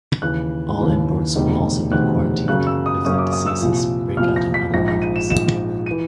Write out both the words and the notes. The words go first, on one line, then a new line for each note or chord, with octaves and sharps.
All imports will also be quarantined if the diseases breakout in other countries.
D#2 C#3 E3 F#6
D#2 C#3 E3
E1 D2 C3 D#3 G3
E1 D2 C3 D#3 G3 F#6
F#2 C#3 F#3 A#3 C#4 F#6
E6
D#6
F#2 C#3 F#3 A#3 C#4 D#6
D6
D#6
E6
C2 A#2 F3
C2 A#2 F3 F6
A#6
B6
A#1 G#2 F3 A#6
A#6
D#7
E7
A#1 G#2 F3 E7
E3 D#7